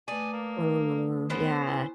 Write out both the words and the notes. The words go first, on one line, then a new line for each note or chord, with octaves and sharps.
Ooh, yeah.
A3 B4 D5 G#5 D#6
A#3
B3 C#4 A#4 C5
E4 G#5